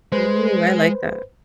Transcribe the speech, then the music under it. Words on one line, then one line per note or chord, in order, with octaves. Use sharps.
Mhm. I like that.
G#3 B4 C5